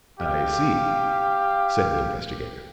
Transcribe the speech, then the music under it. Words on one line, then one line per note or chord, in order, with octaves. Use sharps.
"I see," said the investigator.
G4 F5